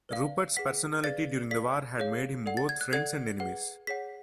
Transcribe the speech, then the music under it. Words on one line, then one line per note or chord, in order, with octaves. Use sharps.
Rupert's personality during the war had made him both friends and enemies.
B4 D5 F5
G#4 B4 F#5 B6
G#4 B4 D5 F5 A6
A4 D5 F5 B6
G#4 C#5 F5
A4 D5 F#5
A6
G#6
F#6
A4 D5 F#5 G#6
G#4 B4 F#5
G#4 C#5 F#5 B6